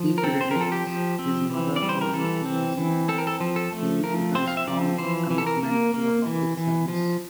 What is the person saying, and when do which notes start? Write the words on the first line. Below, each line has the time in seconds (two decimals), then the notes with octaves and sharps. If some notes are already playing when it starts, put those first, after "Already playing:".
He credits his mother for infusing him with a strong commitment to public service.
Already playing: F3
0.18 A#4
0.24 C4 A4
0.41 C5
0.51 F3 A#4
0.61 A4
0.72 G4
0.87 F3
1.19 C4
1.50 E3
1.76 D5
1.82 G3
1.89 C5
2.01 A#4
2.13 E3 A4
2.45 C4
2.77 E3
3.08 C4 A4
3.18 A#4
3.27 A4
3.40 F3
3.56 A4
3.72 A3
4.03 F3 A#4
4.35 C4 C5
4.48 F5
4.57 E5
4.67 F3 D5
4.98 E3 C5
5.31 E3
5.38 A4
5.47 A#4
5.62 A#3
5.94 A#3
6.25 E3
6.57 E3
6.88 F3